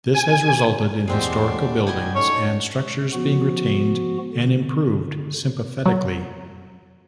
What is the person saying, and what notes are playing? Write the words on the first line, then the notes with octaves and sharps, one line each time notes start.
This has resulted in historical buildings and structures being retained and improved sympathetically.
G#5
E2 A#2 G#3 C4 D4 F#4 G4 C6
D#5 G5 G#5 B5 G#6
C#4 D#4 A4 C#5
F3 B3 F#4
D3
F#3